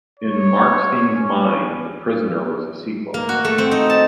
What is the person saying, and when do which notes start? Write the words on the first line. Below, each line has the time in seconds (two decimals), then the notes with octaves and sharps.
In Markstein's mind, "The Prisoner" was a sequel.
0.19 C#5
1.16 C#4
3.14 A#3
3.29 F#4
3.45 A3
3.58 C4
3.71 D#4
3.90 A5